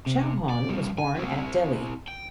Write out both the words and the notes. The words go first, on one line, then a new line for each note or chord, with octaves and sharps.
Chauhan was born at Delhi.
C3
D5
G2 F3
G#5
C4 E4
G5